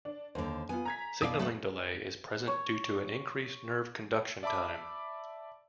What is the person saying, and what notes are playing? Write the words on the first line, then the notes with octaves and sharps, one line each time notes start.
Signaling delay is present due to an increased nerve conduction time.
D4
D#2 D3 C5
B3 F4 G#5
A#5 G#6 B6
B2 D5 F5 D#6
A3 A4 B4
C#5
D5 E5 A5 B5 D6